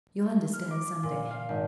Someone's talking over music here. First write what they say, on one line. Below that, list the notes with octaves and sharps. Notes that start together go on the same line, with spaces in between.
"You'll understand some day."
F6
D6
A#2
F5
G#1